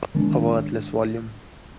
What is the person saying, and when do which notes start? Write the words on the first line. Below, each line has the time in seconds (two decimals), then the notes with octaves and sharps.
A worthless volume!
0.15 D#3 G#3 B3 D4